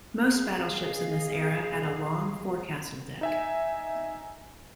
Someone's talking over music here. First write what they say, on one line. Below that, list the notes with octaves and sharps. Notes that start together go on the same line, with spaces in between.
Most battleships in this era had a long forecastle deck.
G#4 D#5 F5
D#4 E5 G#5